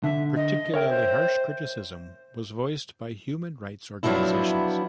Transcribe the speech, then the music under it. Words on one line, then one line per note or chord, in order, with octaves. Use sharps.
Particularly harsh criticism was voiced by human rights organizations.
D3 E5
D#5
A#4 C#5 E5 G5
C5
F3 F#3 B3 D4 E4